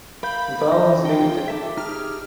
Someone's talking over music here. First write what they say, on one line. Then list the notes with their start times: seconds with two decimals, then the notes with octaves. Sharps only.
Vowles Ltd.
0.23 A#4 F5 B5 G6
0.72 E3 D#5
1.05 D#4 F4 G5
1.48 E5 A5 D6
1.77 D#4 G4 G#4 F6